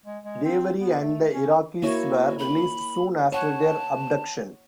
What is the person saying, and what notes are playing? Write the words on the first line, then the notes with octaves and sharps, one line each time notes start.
Dewari and the Iraqis were released soon after their abduction.
G#3
G#3
C4
B3
A3
C#4
A#3 E4 F#4 C#5
B5
C#5 F#5 A5